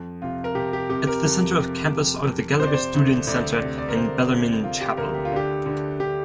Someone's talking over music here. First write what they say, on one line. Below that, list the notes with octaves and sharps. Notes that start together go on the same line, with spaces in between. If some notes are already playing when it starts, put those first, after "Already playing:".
At the center of campus are the Gallagher Student Center and Bellarmine Chapel.
Already playing: F2
C3 F4
A#4
C3 G4
G4
C3 G4
A#4
F2
C3
F2
F2
C3 C5
D5
C5
D2
D2 D5
D5
C3
D5
A#4
D2 C5
C3
C3 F4
G4
D2 A#4
G4
F4
D3 G4
D3
D3 G4